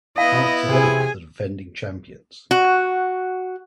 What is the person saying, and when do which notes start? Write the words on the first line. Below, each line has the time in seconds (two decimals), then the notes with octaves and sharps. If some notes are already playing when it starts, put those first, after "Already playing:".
Hearts of Oak are the defending champions.
0.18 B3 E4 D#5 F5
0.68 C3 G#4 G#5
2.51 F#4